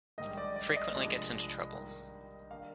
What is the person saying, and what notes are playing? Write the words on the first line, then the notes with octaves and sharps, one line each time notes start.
Frequently gets into trouble.
A#1 G#2 D#3 G3 D#5
D5
D5
D#5
C2 C3 F3 G#3 D4
G2 D#3 A#3 D#4
D#3 A#3 D4 F5